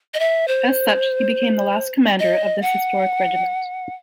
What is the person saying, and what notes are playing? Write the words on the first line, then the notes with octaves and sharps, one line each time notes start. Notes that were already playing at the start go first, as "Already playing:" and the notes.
As such, he became the last commander of this historic regiment.
D#5
E5
C5
D#5
F#5